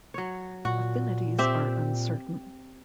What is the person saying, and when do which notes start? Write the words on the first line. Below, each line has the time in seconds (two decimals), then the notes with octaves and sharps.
Affinities are uncertain.
0.14 F#3 C#5
0.65 A#2 F#4
1.39 C4 G4 E5